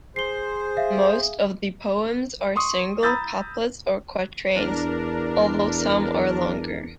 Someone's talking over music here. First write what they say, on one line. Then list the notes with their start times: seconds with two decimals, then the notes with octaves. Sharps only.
Most of the poems are single couplets or quatrains, although some are longer.
0.16 G#4 C5 C7 G7
0.77 E5 F5
2.56 C6 C#6 D#6
3.03 A#5 B5 D#6 E6 G6 A6
4.55 E2 D4 A#4